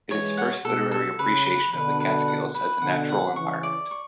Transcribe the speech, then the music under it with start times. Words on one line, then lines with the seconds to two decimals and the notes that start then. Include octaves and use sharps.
It is the first literary appreciation of the Catskills as a natural environment.
0.10 E3 G#3 C#5
0.37 F#5
0.65 B2 A4
0.91 A4
1.19 C#3 B4
1.46 B4
1.73 B2 D3 B4
2.00 B4
2.28 F#5
2.55 B4
2.81 B2 D3 F#5
3.09 F#5
3.36 C#3 E3 C#6
3.63 D5
3.91 C#6